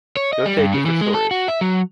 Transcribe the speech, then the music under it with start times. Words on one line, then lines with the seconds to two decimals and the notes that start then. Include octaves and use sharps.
Go take it for storage.
0.17 C#5
0.33 D#5
0.46 G3
0.58 G2
0.74 C#3
0.86 E3
1.01 G#3
1.14 A4
1.31 F#4
1.48 E5
1.61 F#3